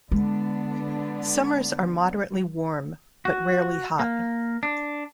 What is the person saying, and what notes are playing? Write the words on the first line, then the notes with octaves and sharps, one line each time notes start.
Summers are moderately warm but rarely hot.
D3 G#3 B3 D4
F#4
A#3
D4